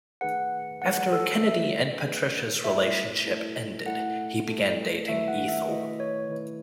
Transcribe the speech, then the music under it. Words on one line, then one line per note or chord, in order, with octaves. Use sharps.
After Kennedy and Patricia's relationship ended, he began dating Ethel.
D#3 A3 D#4 G#4 B4 F#5
D#3 A3 D#4 G#4 B4 F#5
A4
D#3 A3 D#4 G#4 B4 E5
D#3 A3 D#4 G#4 B4
A3 E4 A4 E5
A3 E4 A4
A3 E4 A4 F#5
A3 E4 A4
D#3 A3 E4 B4 E5
F#5
E5
D#3 A3 E4 B4 D#5
C#5
D#3 A3 E4 B4